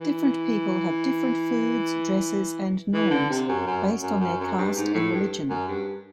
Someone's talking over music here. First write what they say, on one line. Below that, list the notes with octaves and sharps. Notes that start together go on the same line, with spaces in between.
Different people have different foods, dresses and norms based on their caste and religion.
E3
E3
D3
C3
F#2
F#2
F#2
F#2
F#2
G2
G#2
A2
G2
F#2
G2